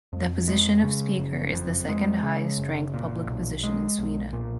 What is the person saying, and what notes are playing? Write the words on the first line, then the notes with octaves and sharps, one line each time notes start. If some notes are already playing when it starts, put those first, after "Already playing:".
The position of speaker is the second highest ranked public position in Sweden.
F2
G#3
C#3
F#1
F2
G#3
C#3
F#1
A#2
B1
G#3
B1
A#2